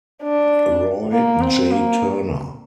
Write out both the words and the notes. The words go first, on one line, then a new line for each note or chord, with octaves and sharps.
Roy J. Turner.
D4
A#3
C4
A#3